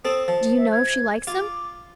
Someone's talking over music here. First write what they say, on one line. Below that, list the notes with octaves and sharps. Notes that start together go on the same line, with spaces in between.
"Do you know if she likes them?"
C4 A4 D#6
F3 A5
E5
G#6
F4 D6